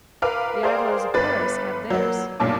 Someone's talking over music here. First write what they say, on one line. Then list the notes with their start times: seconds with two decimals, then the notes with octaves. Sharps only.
The idlers of Paris had theirs.
0.22 A#4 B4 F5 D6 F6
0.63 G#4 A#4 C5 D5 F5 G5
1.14 G1 B4 B5 D6 A6
1.90 F#3 A#3
2.40 B1 G2 A#2 A5 D6